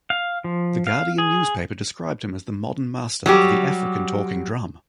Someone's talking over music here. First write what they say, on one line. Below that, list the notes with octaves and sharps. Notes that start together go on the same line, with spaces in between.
The Guardian newspaper described him as the Modern master of the African talking drum.
F5
F3
F5
G#4
F#3 G3 G4